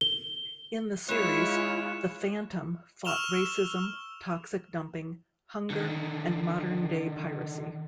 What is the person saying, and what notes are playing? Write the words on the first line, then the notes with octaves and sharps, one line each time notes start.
In the series, the Phantom fought racism, toxic dumping, hunger and modern-day piracy.
G7
G#3 E4 F4 C#5 F#6 E7
C#6 E6 F6 E7 F7 G7
D3 D#3